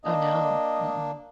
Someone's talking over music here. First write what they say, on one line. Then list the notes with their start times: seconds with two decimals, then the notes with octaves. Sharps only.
Oh, no, mm-mm.
0.05 A#3 D4 D#5